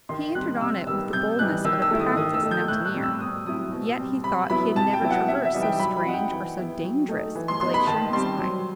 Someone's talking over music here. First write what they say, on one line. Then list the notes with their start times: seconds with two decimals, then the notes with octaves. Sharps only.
He entered on it with the boldness of a practised mountaineer; yet he thought he had never traversed so strange or so dangerous a glacier in his life.
0.09 D#3 C6
0.35 G3 C4 F#6
0.61 C3 E6
0.87 D#3 G3 B3 E6
1.13 C3 G6
1.39 E3 G3 D#4 F#6
1.64 D#3 E6
1.82 E6
1.91 A3 E4
1.99 D#6
2.17 D#3 D#6
2.34 E6
2.43 A3 D#4
2.51 G6
2.68 A2 F#6
2.86 F#6
2.94 G3 C4
3.03 E6
3.20 B2 D#6
3.46 F#3 C4 E4 D#6
3.72 B2
3.98 G3 C4
4.24 C3 B5
4.50 F#3 B3 E4 B5
4.76 C3 A5
4.93 G5
5.02 F#3 B3 E4
5.10 F#5
5.28 C3 E5
5.45 E5
5.54 E3 G3 D#4
5.62 G5
5.79 F#3 B5
5.97 B5
6.05 C4 D#4 F#5
6.14 G5
6.31 E3
6.57 B3 E4
6.83 F#3
7.09 A3 D#4
7.35 E3
7.48 C6
7.61 B3 D#4 C6
7.74 B5
7.87 D#3 A5
8.13 G3 C4 C6
8.39 F#3